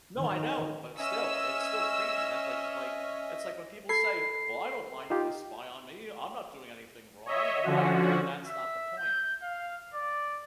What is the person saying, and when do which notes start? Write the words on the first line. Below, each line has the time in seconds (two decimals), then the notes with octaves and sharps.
No, I know but still it's still creepy, thats, like like, it's, like, when people say, "Well, I don't mind if they spy on me. I'm not doing anything wrong." I'm, like, "That's not the point."
0.19 D#3
0.99 C#4 D#5 E5 E6
3.89 A4 B5 G#6 C7
5.10 D#4 F4 G4
7.26 C#5 D#5 E5
7.63 D3 F3 C#4 F#4
8.47 E5
8.98 G6
9.42 F5
9.94 D5